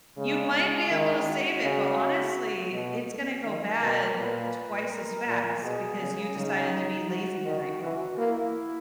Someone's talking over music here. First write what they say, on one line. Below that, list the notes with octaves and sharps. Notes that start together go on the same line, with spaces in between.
you might be able to save it, but honestly, it's gonna go bad twice as fast because you decided to be lazy the night before.
C#3 G#3
D#3
F#4
C#3
B2
D#3
B2 A#4
A#2 B4
A#4
A#2
B2 G#4
C#3
C#3 D#4
F#4
D#3
E3 F#4
A#3 E4